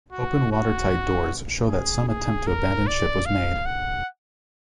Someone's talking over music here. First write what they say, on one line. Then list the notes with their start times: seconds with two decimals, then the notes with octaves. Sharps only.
Open watertight doors show that some attempt to abandon ship was made.
0.12 F#4
0.52 F#4
1.69 G#4
2.08 G#4
2.47 A#4
2.87 D5
3.26 F5
3.66 F#5